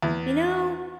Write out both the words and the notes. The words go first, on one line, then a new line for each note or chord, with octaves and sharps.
"You know,
E2